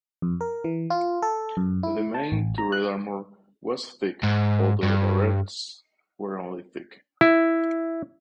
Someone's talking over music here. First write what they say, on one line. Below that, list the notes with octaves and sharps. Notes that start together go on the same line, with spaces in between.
The main turret armor was thick although the barbettes were only thick.
F2
A#4
E3
F4
A4
F#2
E4
A5
A1
A#5
F#6
G#2
G2
E4